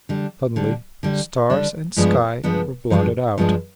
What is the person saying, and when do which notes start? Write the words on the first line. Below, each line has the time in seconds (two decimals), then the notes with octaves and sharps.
Suddenly stars and sky were blotted out.
0.09 D3 G3 D4
0.56 D3 G3 D4
1.03 D3 G3 D4
1.50 D3 G3 D4
1.96 G2 F3 G#3 B3 D4
2.43 G2 F3 G#3 B3 D4
2.90 G2 F3 G#3 B3 D4
3.38 G2 F3 G#3 B3 D4